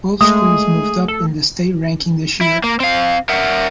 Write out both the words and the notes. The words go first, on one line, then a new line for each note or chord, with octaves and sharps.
Both schools moved up in the state ranking this year.
G#3 A3 G#4 D#6
A4
E4
A#3
C4 F5
A#4 E5 F#5